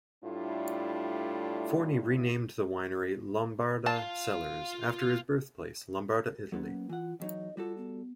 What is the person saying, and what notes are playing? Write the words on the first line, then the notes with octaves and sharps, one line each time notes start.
Forni renamed the winery Lombarda Cellars after his birthplace; Lombarda Italy.
A2 G3 A3 D4 E4 F4
F4 F5 A5
F#3 A#3 B3 C#4
E3 F4 F#5
E2 F#3 D#4 D#5
G3 F4 F#4 A4
B3